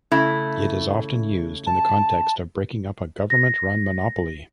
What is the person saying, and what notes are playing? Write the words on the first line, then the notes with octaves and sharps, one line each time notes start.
It is often used in the context of breaking up a government-run monopoly.
C#3 A3 E4
A5
A#6